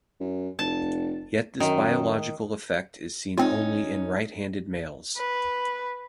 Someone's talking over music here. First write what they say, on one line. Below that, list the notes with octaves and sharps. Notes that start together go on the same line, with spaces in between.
Yet this biological effect is seen only in right-handed males.
F#2
F1 A5
F#2 D#3
C4 C#4 D#4 F4
B4